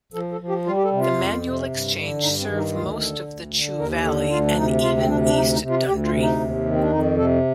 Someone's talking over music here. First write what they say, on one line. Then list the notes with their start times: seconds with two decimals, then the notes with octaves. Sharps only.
The manual exchange served most of the Chew valley and even East Dundry.
0.13 F3 A4
0.32 A4
0.41 F3
0.49 G4
0.66 G3 F4
0.76 G4
0.84 A4
0.92 C3
1.00 F4
1.18 F2
1.44 C3
1.70 G2
1.96 D3
2.22 G2 D#4
2.40 C4
2.48 D#3
2.58 D#4
2.74 D2 F4
3.00 D3 A4
3.27 D2
3.53 D3
3.78 D#2 A#4
4.04 D3 A4
4.30 D2 F4
4.47 D4
4.57 C3 D#4
4.83 D2 F4
4.98 C4
5.09 C3 D4
5.26 D4
5.34 D2 D#4
5.53 D#4
5.60 C3
5.70 F4
5.87 D2 G4
6.05 F4
6.12 C3
6.22 D#4
6.39 D#2
6.65 D#3
6.73 C4
6.82 D4
6.91 F2 D#4
7.17 C3 A4